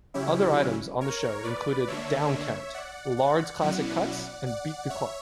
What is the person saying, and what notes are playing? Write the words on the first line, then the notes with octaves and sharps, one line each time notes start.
Other items on the show included "Downcount", "Lard's Classic Cuts" and "Beat the Clock".
C#3 F#3 C#4 E4 G4
A#4 C#5
B4 D5
D3 A#3 D4 C#5 E5
D5 F#5
D5 F#5
B2 F#3 C#4 E4
D5 F#5
C#5 E5